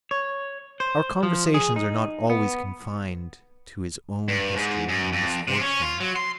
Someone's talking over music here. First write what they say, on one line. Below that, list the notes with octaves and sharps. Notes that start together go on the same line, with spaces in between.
Our conversations are not always confined to his own history and misfortunes.
C#5
C5
F3
G#4
D#4
B3
G2
G#2
F#2
F2
C3
C#4
F4
F#3
C6